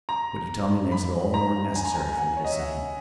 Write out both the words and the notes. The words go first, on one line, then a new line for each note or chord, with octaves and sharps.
What you tell me makes it all the more necessary for me to see him.
A#5
B5
A#5
G#5
A#5
G#5
F#5
C#5
D#5
E5
F#5